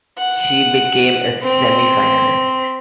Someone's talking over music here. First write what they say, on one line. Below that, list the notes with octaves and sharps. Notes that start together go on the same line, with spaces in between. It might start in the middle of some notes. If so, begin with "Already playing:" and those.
She became a semi-finalist.
F#5
C4